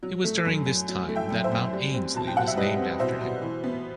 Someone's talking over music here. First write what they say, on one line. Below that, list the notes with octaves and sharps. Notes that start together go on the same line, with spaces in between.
It was during this time that Mount Ainslie was named after him.
F#3
A3
F#2
F#2
F#3
A3
E5 G5
F#2
C5 E5
F#2
G3
C4
B2 A5
G5
B2 F#5
E5
G3 B4 D#5
C4
B2 C5 E5
B2
E3
B3